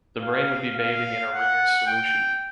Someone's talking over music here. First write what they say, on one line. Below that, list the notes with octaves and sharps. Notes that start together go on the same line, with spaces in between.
The brain would be bathing in a Ringer's solution.
F5
F5
F#5
G5